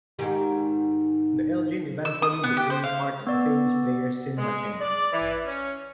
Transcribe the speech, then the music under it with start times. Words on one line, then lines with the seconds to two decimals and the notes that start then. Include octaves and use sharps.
The Elgin eventually became part of the Famous Players cinema chain.
0.19 G#2 D#3 G4
2.05 E6
2.22 D#6
2.43 B3
2.57 G4
2.70 C5
2.84 F5
3.27 B3 D5 E6
4.37 G#3
4.80 D5
5.13 E3
5.46 C#4